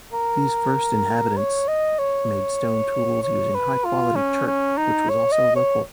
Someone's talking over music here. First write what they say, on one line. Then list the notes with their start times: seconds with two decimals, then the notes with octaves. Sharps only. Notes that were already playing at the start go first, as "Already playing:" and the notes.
These first inhabitants made stone tools using high quality chert which was also local.
0.13 A#4
1.37 C#5
1.68 D#5
1.99 C#5
3.22 C#5
3.54 B4
3.85 F4
4.15 C#4
4.47 C#4
4.77 D#4
5.09 C#5
5.32 D#5
5.56 C#5